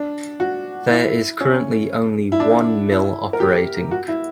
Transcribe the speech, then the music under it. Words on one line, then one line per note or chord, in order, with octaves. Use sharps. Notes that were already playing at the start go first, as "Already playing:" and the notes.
There is currently only one mill operating.
Already playing: D4
F#4
E4
C#4
E4
D4
E4
A#4
G4
F#4
E4